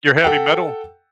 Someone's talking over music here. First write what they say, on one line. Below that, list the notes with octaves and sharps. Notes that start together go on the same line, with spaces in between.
Your heavy metal?
A4 F#5 G5